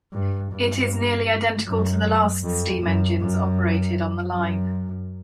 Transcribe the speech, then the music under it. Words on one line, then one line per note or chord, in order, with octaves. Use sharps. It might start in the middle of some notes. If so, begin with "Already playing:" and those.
It is nearly identical to the last steam engines operated on the line.
G2
G2
F#2
F2
F#2
F#2
F#2